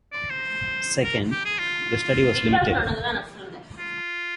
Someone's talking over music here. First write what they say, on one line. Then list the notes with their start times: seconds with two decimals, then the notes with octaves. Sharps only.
Second, the study was limited.
0.12 D5
0.30 C5
1.04 A#4
1.31 G4
1.45 G#4
1.59 F4
3.79 F4